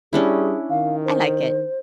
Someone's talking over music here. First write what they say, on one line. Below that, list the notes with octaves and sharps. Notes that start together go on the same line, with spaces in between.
I like it.
G3 C#4 D4 E4 G#4
D#3 F5
C5